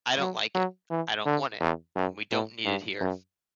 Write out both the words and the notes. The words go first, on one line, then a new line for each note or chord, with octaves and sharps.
I don't like it, I don't want it, and we don't need it here.
F#3
F#3
E3
D3
E2
F#2
A2
G2
F#2